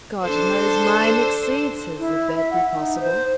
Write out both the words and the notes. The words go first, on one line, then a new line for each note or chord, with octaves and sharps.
'God knows mine exceeds his, if that be possible.
D4 A4 C5
E4
E5
F#5
D#4
C5